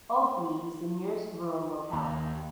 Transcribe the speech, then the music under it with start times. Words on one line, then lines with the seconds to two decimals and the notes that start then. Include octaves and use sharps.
Ogni is the nearest rural locality.
1.93 D#2